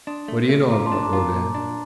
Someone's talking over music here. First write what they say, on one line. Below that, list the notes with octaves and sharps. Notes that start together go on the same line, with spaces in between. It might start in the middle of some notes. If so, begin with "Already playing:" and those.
"What do you know about Rodin?"
D4 C6 D#6
A3
A3
F4 A#5 D6
A5 C6
D4
A#5 D6
F4
A#5 D6
A#2
D4